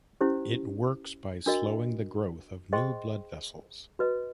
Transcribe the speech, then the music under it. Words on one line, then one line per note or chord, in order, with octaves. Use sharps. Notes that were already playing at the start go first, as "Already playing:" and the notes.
It works by slowing the growth of new blood vessels.
C#4 E4 G4 C5
D4 F#4 A#4 D#5
G#4 C5 D#5 G5 C6
F#4 B4 D#5